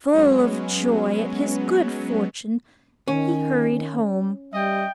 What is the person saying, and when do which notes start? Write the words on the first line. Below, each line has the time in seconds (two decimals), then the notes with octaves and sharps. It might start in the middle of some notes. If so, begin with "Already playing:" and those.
Full of joy at his good fortune, he hurried home.
0.13 F#3 G#3 B3 C#4
3.08 D#3 C#4
4.53 G3 D#5 E5 G5